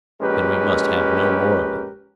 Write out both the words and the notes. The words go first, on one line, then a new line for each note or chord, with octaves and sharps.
Then we must have no more of them.
A#1 G#3 C#4 G4 A#4 B4